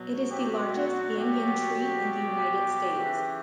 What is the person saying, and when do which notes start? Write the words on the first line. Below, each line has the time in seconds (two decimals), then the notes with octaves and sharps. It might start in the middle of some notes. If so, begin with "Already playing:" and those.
It is the largest Banyan Tree in the United States.
Already playing: B2 F#3
0.29 G4
0.74 F#4
1.18 G4
2.94 C#3 E3